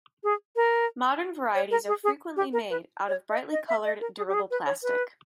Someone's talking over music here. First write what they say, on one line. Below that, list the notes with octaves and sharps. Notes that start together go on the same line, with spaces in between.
Modern varieties are frequently made out of brightly colored, durable plastic.
G#4
A#4
C#5
A#4
G#4
G#4
G4
A#4
B4
C#5
D#5
D#5
E5
D#5
A#4
G#4
G4
G#4
B4
C#5
B4